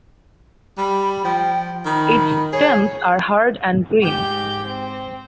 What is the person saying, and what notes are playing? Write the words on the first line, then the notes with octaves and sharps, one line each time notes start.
Its stems are hard and green.
G3 B5
F3 G5
D#3 B5
G#4 C#5
G#2 G4 G6
C4